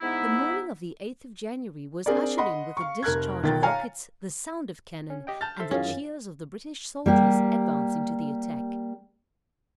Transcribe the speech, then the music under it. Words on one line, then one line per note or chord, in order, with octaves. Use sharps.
The morning of the eighth of January, was ushered in with the discharge of rockets, the sound of cannon, and the cheers of the British soldiers advancing to the attack.
G#2 B3 D#4 E4
C4 D4 G#4 A#4 D5
D#5 F#5 B5 C6
F5 C#6
F1 A#4 F#6 G#6
B1 D#3 F4 A#4 G5 A6
C#5 F5 G#5 A#5 F6
C#4
G4 D#5 G5
A5 F6 G6 A6
A4 C5 E5 C6
F#2 D#3 E3 C#4 F4 G#4
G3 A#3 G4